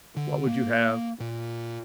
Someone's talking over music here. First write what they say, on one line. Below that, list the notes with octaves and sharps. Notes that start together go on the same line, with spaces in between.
What would you have?
D3
A#3
A#2